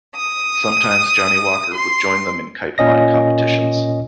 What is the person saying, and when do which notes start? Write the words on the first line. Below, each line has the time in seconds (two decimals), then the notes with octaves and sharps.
Sometimes Johnny Walker would join them in kite-flying competitions.
0.15 D#6
1.75 C6
2.78 A#2 C#4 D#5 A#6